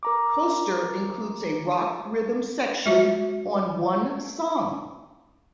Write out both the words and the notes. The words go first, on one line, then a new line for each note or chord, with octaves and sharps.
"Coaster" includes a rock rhythm section on one song.
A#4 A#5 D6
G#3 F#4 E5